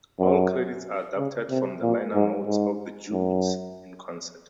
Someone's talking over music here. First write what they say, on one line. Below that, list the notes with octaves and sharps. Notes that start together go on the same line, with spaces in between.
All credits are adapted from the liner notes of "The Judds in Concert".
F#2
C#3
C3
A#2
G#2
G#2
F#2